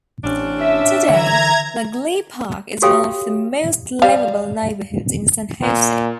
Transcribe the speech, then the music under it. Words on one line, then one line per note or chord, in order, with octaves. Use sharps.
Today, Naglee Park is one of the most livable neighborhoods in San Jose.
A1 C3 C#4 D4
E5
D3 E3 A#5 G#6
F#4 G4 A4 C#5 F5 G5
G3 F5
A#2